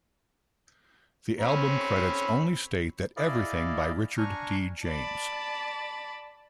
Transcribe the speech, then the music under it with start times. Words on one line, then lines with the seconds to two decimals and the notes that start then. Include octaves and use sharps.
The album credits only state that Everything by Richard D. James.
1.41 C4 C#4 B5
3.17 E4 G#4 D5 D#5 F5
4.18 D4 G#5 A#5 C#6 F6
4.83 D5 A5 B5